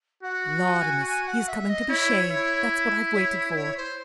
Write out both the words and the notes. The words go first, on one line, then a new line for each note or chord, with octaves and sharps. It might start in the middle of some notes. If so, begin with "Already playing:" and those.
Laudamus! he is coming to be shaved; that's what I've waited for.
F#4 F#5
G#5
F#5
G#5
G#5
F#5
E5
D#5
E4 C#5
E4
C#5
C#5
C5